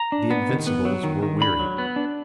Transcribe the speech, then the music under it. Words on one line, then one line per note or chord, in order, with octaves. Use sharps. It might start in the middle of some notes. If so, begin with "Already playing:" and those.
The Invincibles were weary.
Already playing: A#5
D4
B3
D#3
B3
F#3
D#3
D#3
D4 B5
F#3
B3
D4